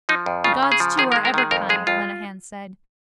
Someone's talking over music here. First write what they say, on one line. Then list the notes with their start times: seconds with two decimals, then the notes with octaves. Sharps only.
The gods too are ever kind, Lenehan said.
0.09 F3 D#4
0.26 F2
0.44 C#3 F4
0.63 C#3
0.72 G#4
0.80 F3
0.98 D#3 G#4
1.12 A#4
1.16 G#3
1.25 A#4
1.34 D#3 G#4
1.51 F2 A#4
1.69 G#3 G#4
1.87 F2 F4